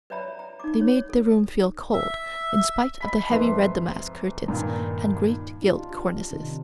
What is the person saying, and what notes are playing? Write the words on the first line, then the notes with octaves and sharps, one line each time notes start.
They made the room feel cold, in spite of the heavy red damask curtains and great gilt cornices.
B4 C#5 D5 E5 A#5 B5
A#5
D#4 D6
C#5
A4
E5
D#5 B5 B6
F2 G#2 B4 E5 C6
G2 A#2 D#3 D#4
D4 D#4 F4 G4
C3 D#3 C4 D#4